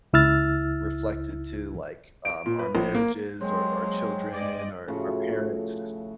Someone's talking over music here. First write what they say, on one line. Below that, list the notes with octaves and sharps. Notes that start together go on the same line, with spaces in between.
reflected to like, um, our marriages, or our children, or our parents.
C#2 E4 E6 F6 A6
D7
A#2
B4
A#1
A#3
F#3 G#3 A#3 C4 C5
G2 D5 D#5
A2 C#3 F3 F#4